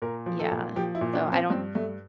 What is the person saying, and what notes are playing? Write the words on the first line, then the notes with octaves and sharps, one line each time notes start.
Yeah. So I don't
A#2 A#4
F3
A4
A#2
F3 G4
E4
A#2
D4
F3
C4
G2 C4
G2 A3